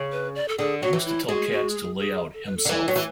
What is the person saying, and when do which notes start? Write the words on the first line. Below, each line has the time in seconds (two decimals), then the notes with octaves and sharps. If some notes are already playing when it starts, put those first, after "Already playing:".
He used to tell cats to lay out himself.
Already playing: C#3
0.12 B4
0.35 D5
0.48 A4
0.58 D3 G#4
0.82 F#3 F#4
0.93 E3
1.05 E4
1.28 G#3 F#4
1.51 F#4
1.75 G#4
1.98 G#4
2.34 A4
2.45 B4
2.57 A4
2.65 D3
2.68 E3 A4
2.86 F#3 F#4
2.96 E3